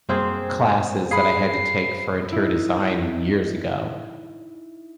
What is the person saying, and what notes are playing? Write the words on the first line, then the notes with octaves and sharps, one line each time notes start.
classes that I had to take for interior design years ago,
F#2 G3 A#3 C4 F#4 G#4 C5
G#4 F5 F#5 B5 C7
D#4 E4